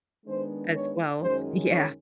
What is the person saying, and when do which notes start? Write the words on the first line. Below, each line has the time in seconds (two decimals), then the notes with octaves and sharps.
As well. Yeah,
0.25 D#3 G#3 B3 D4 C5
0.73 C#5
1.19 F#2 D#3 G#3 C#4 C5
1.67 C#5